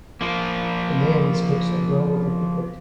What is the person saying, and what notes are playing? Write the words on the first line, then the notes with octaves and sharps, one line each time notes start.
A man inspects a row of equipment.
F3 A#3